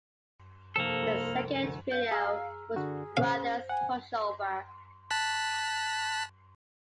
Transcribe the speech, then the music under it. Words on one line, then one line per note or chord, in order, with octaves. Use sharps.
Their Second Video was "Brothers Push Over".
F1 C3 A#3 A4 C7
C2
D2
F5 G6
G#4 A#5 E6 F6
D3 F#4 G#4
C#4 C5 F5
F#5 G#5
A5 F#6 B6